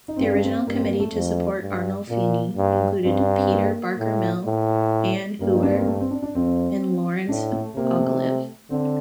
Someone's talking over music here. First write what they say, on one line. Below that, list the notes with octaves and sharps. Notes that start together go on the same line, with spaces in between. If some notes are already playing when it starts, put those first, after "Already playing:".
The original committee to support Arnolfini included Peter Barker-Mill, Ann Hewer, and Lawrence Ogilvie.
D#4
C4
G2 D4
D4
C4
G2 A#3
C4
A#3
A3
F2
G2
A#2 A#3
G2
G2 C4
D4
C4
A#3
A2
A2
G2 A#3
D#4
D4
C4
A#3
A3
C4
D4
D4
F2 C4
A2 D4
A3
C3 A#3
A3
D3 C4